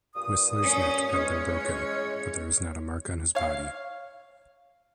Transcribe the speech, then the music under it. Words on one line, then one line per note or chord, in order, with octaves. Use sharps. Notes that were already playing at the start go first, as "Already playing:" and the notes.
Whistler's neck had been broken, but there was not a mark on his body.
G2 A#2 D#6
C#4
E3 G#3 C#4 C#5
C#5 F5